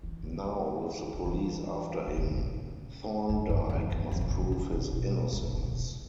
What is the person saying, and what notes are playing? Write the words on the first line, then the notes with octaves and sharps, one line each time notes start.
Now with the police after him, Thorndyke must prove his innocence.
E3
D3
D3
D#3
E3
E3
C3
A#2
B2
C#3
G#2
G2
F2
E2
F2
A2
C#3
C3
C#3
C3
B2
A#2
A2
A#2
C3
B2
C3